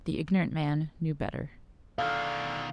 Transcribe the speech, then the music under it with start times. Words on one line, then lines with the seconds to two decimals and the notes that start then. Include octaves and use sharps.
The ignorant man knew better.
1.98 G#2 B2 D3 D#3 F5